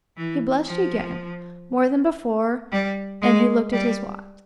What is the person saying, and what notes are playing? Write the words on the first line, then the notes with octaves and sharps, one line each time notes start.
He blushed again, more than before, and he looked at his watch.
E3
F3
G3
G#3
G3